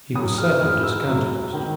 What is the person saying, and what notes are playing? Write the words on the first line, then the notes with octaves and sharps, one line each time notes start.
He was sadly discountenanced.
F#3 D#6
F6
G#2 F6
E6
F#3
D#3